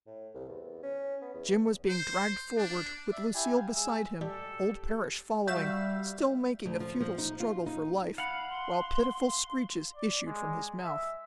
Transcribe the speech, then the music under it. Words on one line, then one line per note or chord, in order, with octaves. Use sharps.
Jim was being dragged forward, with Lucille beside him, old Parrish following, still making a futile struggle for life, while pitiful screeches issued from his mouth.
A2
C2
E2
C#4
B3
E2
C5
D4
D5 E5
E4 G4 G#5
F5
G#3 E6
G3 G4 A4
G3 F#4 E5 F5 G6 A6 E7
D2
F3
F3
D#4
F4
D#4
F5 F#5 B5
C6
D5
G#3
E5